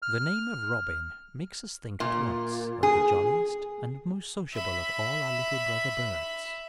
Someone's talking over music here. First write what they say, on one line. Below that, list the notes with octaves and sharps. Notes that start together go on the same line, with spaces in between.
The name of Robin makes us think at once of the jolliest and most sociable of all our little brother birds.
F6
A#2
G#4
E5 B5